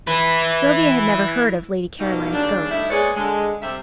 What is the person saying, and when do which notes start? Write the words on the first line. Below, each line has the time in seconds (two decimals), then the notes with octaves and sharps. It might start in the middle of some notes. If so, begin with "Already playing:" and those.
Sylvia had never heard of Lady Caroline's ghost.
0.07 E4 B4
1.99 B2 F#3 G3 A#3 B3 D#4
2.33 D#2 C#3 G3 D4
2.71 D2 G3 D#4 E4
2.90 G#3 A#3 B3 G#4 C#5 D5
3.16 D3 G#3
3.62 C3 G3 C4 E5